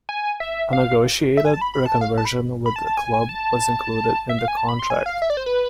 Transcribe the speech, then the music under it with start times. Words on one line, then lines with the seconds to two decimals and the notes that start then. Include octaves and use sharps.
A negotiated reconversion within the club was included in the contract.
0.09 G#5
0.40 E5
0.73 F5
1.37 E5
1.45 G#5
1.54 A5
1.61 B5
1.74 B5
1.86 A5
2.01 F5
2.18 A5
2.25 B5
2.66 B5
2.76 A5
2.87 A5
2.97 G#5
3.14 G#5
3.29 A5
4.29 E5
4.39 F5
4.48 G#5
4.57 A5
4.69 B5
4.79 C6
4.90 G#5
5.06 F5
5.22 E5
5.30 D5
5.37 C5
5.46 B4